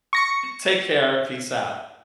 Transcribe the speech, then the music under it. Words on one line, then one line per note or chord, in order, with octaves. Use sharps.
Take care and peace out.
C#6 A#6 C#7